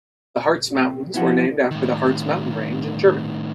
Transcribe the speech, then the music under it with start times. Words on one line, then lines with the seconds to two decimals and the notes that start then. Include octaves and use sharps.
The Hartz Mountains were named after the Harz mountain range in Germany.
0.75 C3
1.14 F3 G3 B3 E4 F#4
1.71 A2 D#3